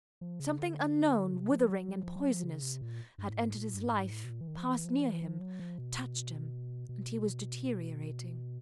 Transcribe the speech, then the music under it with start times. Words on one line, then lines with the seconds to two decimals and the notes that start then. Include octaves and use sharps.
Something unknown, withering and poisonous, had entered his life, passed near him, touched him, and he was deteriorating.
0.21 F3
0.40 C#3
0.59 D3
1.33 C3
1.51 F3
1.70 F#3
1.88 F#3
2.03 F3
2.16 F#3
2.30 F3
2.43 C#3
2.62 C3
2.81 A#2
3.18 G2
3.30 A2
3.36 G#2
3.55 A#2
3.74 G2
3.87 A2
3.92 G#2
4.11 A2
4.24 B2
4.30 A#2
4.41 E3
4.48 D#3
4.57 F3
4.66 E3
4.85 F3
5.03 E3
5.22 F3
5.41 F#3
5.59 F3
5.78 B2
6.89 B2